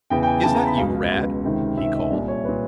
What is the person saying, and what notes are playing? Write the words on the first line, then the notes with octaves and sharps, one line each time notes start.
"Is that you, Rad?" he called.
E2 C#3 E3 G5
G5
G#5
E2 C#3 E3 A5
A#5
B5
C#2 B2 F5
F5
C#2 B2
C#2 C3 D#3
C#2 C3 D#3 E5
D#5
C2 A#2 D5
C#5
B4
A#2